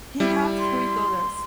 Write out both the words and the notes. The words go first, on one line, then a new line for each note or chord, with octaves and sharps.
He had three daughters.
G3 E4
C6